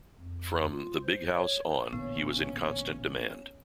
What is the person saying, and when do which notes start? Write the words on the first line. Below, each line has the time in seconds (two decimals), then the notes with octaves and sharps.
From "The Big House" on, he was in constant demand.
0.18 F2
0.71 F4
1.03 C5
1.33 C#5
1.93 A1 A#2 D3 B3 C#4